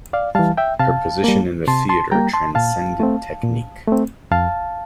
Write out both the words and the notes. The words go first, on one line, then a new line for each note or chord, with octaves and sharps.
Her position in the theatre transcended technique...
D5 F5
E3 G3 F5 A5
E5 G5
C3 F5 A5
G3 A#3
C3 A5 C6
A5 C6
G3 A#3 G5 A#5
A5 C6
A#2 F5 A5
A3 C4
A#2
A3 C4
F2 F5 A5